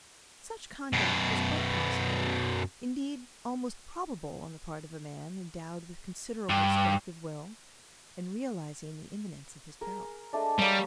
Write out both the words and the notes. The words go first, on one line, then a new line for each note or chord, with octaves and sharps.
Such conduct was quite possible, indeed almost probable on the part of a man, endowed with considerable strength of will, and realizing the imminence of his peril.
F#2 B2
G2
G#4 A#4
G#3 A3 D4
G3 A#3 C#5 D#6